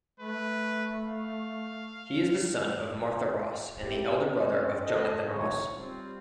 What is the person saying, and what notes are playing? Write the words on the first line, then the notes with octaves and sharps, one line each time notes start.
He is the son of Martha Ross and the elder brother of Jonathan Ross.
A3 B4
F5
A3 A#3 C4 E4 G4
C4 C#4
A4 D#5
E2 D3 F#3 C4 D#4 C#5
G3 C4 F4